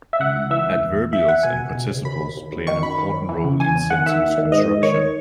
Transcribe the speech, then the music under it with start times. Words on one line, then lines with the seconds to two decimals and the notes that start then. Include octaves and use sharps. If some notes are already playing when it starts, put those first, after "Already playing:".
Adverbials and participles play an important role in sentence construction.
0.13 E5
0.20 C#2 F#5
0.36 C#2
0.50 E3 E5
0.66 C#2
0.81 E2
0.97 E2
1.12 E2 E5
1.28 E2 F#5
1.43 B2 G#5
1.59 C#2
1.75 B2
1.90 C#2
2.05 D#2 B5
2.21 D#2
2.37 D#2
2.52 D#2
2.67 D#3 C#6
2.82 F#2 B5
2.98 D#3
3.14 F#2
3.29 E3
3.44 C#3
3.60 E3 G#5
3.75 E2
3.90 D#3 F#5
4.06 D#3 E5
4.22 D#2
4.38 D#3
4.52 G#2 D#5
4.68 G#2
4.83 D#3 C#5